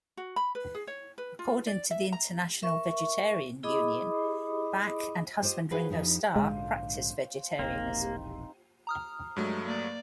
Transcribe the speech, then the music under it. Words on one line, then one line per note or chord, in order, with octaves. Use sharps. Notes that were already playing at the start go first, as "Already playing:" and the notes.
According to the International Vegetarian Union, Bach and husband Ringo Starr practice vegetarianism.
F#4
B5
B4
G#4
C#5
B4
F4
D5
E5
A#5
A#4 E5 C#6
E4 G#4 D#5 B5 D6 D#6
F4 G4 C5 D5 D#5
F4 F#4 G#4 B4 C5
F2 F3 D#4 E4 G4
A#1 G#2 D3 G#3 C5 F5
E1 A#1 A#3 C4 D#4
A#5 D#6 F6
G2 F#3 G#3 A3
A#3 D5